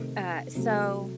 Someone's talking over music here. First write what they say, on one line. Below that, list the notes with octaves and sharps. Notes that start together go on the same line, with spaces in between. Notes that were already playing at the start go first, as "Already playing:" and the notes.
Uh, so,
Already playing: C3 D#3 A3
C3 F#3 A3